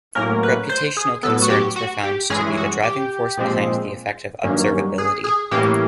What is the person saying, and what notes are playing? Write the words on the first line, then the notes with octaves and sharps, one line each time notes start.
Reputational concerns were found to be the driving force behind the effect of observability.
A2 F#3 A#3 C#4 A#4
B4
C5
G#4
A2 F#3 B3 A4
F#4
G4
F#4
G4
G2 E3 G#3 C#4 G#4
F#4
G4
A#2 F3 G#3 C4
G2 D#3 F#3 A#3 C#4
G#4
G#4
A2 E3 G3 A#3 C#4 G4